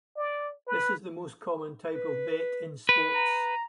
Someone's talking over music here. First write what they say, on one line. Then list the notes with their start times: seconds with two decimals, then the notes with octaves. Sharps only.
This is the most common type of bet in sports.
0.17 D5
0.67 B4
1.95 B4
2.89 B4
3.14 A#5